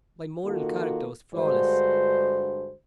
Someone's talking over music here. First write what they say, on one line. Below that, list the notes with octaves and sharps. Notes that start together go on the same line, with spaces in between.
My moral character was flawless.
D#3 A#3 F4 F#4 A4
G2 D3 G#3 F#4 C5